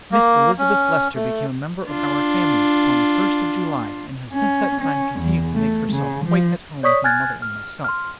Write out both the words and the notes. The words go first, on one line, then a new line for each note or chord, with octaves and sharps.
Miss Elizabeth Lester became a member of our family upon the first of July, and has since that time continued to make herself quite at home with my mother and myself.
A#3
C#4
A3
D4 F4
C#4
C#4
E2
A3
C#3
F3
C#5 D5 C#6 D#6 B6
G#5 F6 F#6 G#6 A6
F6
C6 F6